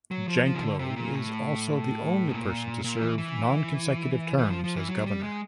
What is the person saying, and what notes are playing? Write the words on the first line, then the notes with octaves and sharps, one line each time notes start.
Janklow is also the only person to serve non-consecutive terms as governor.
F#3
F3
F3
C#3
D3
C3
A#2
A2
B2
A#2
A#2
E3
E3
E3
F3
F3
E3
F#3
G3
G#3